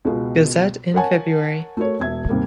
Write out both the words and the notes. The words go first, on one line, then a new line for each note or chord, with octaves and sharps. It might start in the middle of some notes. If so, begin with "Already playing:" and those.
Gazette in February.
C#2 B2 F4 G#4
A#4 C#5 F#5 G#5 A5
A3 F#4 A#4 C#5
E1 E5 G#6
D#2 C3 G3 A#3